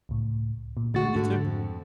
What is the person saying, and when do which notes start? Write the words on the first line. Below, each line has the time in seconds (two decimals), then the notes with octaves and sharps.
You too.
0.09 C#2 A2
0.77 A#2
0.94 D3 G#3 A3 F#4 A6
1.16 G#2 D3 A3
1.45 F2